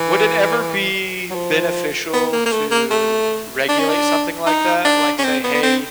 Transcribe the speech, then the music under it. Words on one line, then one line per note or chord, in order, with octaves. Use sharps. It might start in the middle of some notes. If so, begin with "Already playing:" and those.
would it ever be beneficial to regulate something like that? Like, say, "Hey,
Already playing: E3
F#3
F3
B3
A#3
A#3
A3
A#3
A3
D4
C#4
D4
D#4
D4
C#4
C4
B3
B3
C4